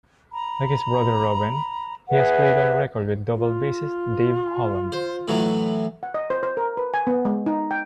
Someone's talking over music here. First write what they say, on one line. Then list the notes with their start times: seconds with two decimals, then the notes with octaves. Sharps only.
Like his brother Robin, he has played on record with double bassist Dave Holland.
0.32 A#5 B5
2.11 G#4 B4 E5 F#5
3.35 F4
4.92 C5
5.28 A2 E3 F#3
6.03 F#5
6.14 D#5
6.30 C5
6.43 C5
6.57 A#4
6.77 B4
6.94 G#5
7.07 B3
7.25 G#3
7.46 D#4
7.71 G5